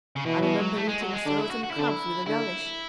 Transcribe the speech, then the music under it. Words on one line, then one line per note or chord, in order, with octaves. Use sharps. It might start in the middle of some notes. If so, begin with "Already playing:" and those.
I remember eating sloes and crabs with a relish.
C#3
B2 E3
B2
F#3
A3
G#3
F#3
G#3
D3 D4
E4
F#4
F#4
E4
D3 D4
E4
D3 E4